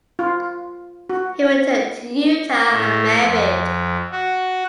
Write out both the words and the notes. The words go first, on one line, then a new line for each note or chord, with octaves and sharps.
He returned to Utah and married.
F4
F#4
A2
F2
F#4